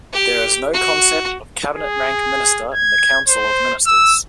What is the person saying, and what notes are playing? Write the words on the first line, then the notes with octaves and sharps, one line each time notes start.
There is no concept of cabinet rank minister in the council of ministers.
G4
F#4
G#4
G#6
C5
E6